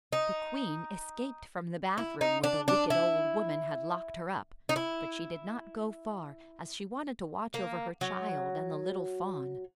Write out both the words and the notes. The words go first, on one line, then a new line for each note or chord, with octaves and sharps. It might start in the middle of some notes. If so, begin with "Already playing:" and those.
The queen escaped from the bath-room, where the wicked old woman had locked her up, but she did not go far, as she wanted to watch over her child and the little fawn.
D#4
E4
D#4
D4
D4
E4
D#4
E4
A#3
F#3